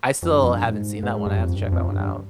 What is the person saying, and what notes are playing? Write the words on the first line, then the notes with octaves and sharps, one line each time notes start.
I still haven't seen that one, I have to check that one out.
F2
G2
F2
G2
A#2
G#2
G#2
G#2
G2
F2
G2
G2
F2
G2
G2